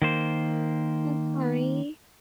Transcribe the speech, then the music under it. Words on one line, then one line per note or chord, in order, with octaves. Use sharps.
I'm sorry.
D#3 A#3 C5